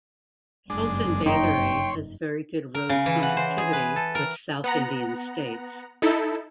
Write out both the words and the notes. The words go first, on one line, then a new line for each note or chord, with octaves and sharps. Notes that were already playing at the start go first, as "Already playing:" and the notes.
Sultan Bathery has very good road connectivity with south Indian states.
F#1 G2 G#3 D4
D#4 C#5 G5 C6
A#4
C#3
E3
F#5
C5
G#4
B4
A4
A#4
B3 F#5 A#5
D#4 E4 A4